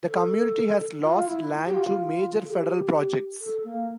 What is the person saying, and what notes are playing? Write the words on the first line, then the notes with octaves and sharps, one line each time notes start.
The Community has lost land to major federal projects.
A4
F4
E4
G4
F4
A4
G4
A4
A#3